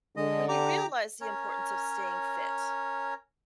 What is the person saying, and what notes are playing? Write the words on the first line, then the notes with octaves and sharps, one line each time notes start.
when you realized the importance of staying fit?
D3 G#3 D#5
G4 A#5 D6
C#4 A#4 C#5